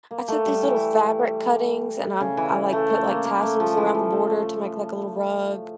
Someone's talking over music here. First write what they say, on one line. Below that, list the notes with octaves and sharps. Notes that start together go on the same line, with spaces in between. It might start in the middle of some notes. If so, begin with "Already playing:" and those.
I took these little fabric cuttings and I'm I, like, put, like, tassels around the border to make, like, a little rug,
A#3
A3
G3
E3
C#3
E3
A3
A3
A#3
A#3
A3
F3
E3
F3
A3